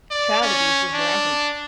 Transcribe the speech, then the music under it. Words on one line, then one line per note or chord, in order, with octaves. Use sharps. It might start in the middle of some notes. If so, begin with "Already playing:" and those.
Child abuse is rampant.
D5
C#4
D4